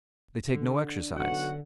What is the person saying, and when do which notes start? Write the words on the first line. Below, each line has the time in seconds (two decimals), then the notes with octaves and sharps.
They take no exercise.
0.54 D3
1.16 B1 D3 F#4 F#5